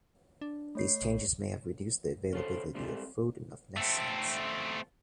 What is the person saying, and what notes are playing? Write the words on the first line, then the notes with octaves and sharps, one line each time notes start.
These changes may have reduced the availability of food and of nest sites.
D4
A3 C#5 C7
A#1
C#4 A4 C5
C3 G3 G#3 C4 A4
A3 C4